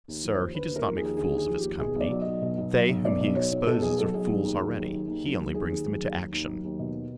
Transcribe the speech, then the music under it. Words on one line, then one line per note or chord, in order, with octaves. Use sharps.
Sir, he does not make fools of his company; they whom he exposes are fools already: he only brings them into action.'
D#2
F3
D#2 C5
D3 B4
D#2
A#4
F3
D#2 G#4
D3 G#4
D#2 G#4
F3
G4
D#2
B2 G#4
B1 D5
F#3
D#5
B1
B2
B1
F#3
B1
B2 D5
B1
F#3 C#5
B1
B2 A4
B1 G#4
F#3 A4
B1 G#4
D#3
D#2
F#3
D#2
D#3
D#2
F#3
D#2
D#3 G#4
D#2
F#3
D#2
D#3
D#2
F#3
D#2
B2